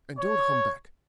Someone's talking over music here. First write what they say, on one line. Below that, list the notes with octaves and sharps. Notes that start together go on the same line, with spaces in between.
And don't come back.
C#5